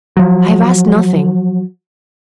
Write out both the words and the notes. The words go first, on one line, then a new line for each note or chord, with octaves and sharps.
I have asked nothing.
F3 F#3